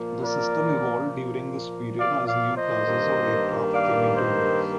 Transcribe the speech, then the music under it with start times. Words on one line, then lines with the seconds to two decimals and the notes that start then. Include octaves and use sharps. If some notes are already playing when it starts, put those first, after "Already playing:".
The system evolved during this period as new classes of aircraft came into use.
Already playing: A#2 F3 A#3
0.23 A#4 D5
1.98 D5 F5
2.27 D5 F5
2.56 C5 D#5
2.85 G2 D#3 A#3
3.73 D5 F5
4.16 C5 D#5